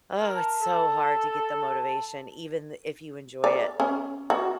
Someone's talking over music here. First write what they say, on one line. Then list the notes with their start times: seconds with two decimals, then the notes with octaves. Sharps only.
oh, it's so hard to get the motivation even th if you enjoy it.
0.19 A#4
0.35 A5
0.61 A4
3.44 D5
3.80 C#4
4.30 F#4